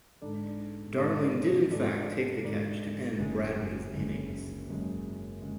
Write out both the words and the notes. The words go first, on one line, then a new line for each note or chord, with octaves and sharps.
Darling did in fact take the catch to end Bradman's innings.
G#2 G#3 D4 A4 D5
G#2 G#3 D4 A4 D5
G#2 G#3 D4 A4 D5
G#2 G#3 D4 A4 D5
F#1 F#2 C#3 G#3
F#1 F#2 C#3 G#3
F#1 F#2 C#3 G#3
C#3 G#3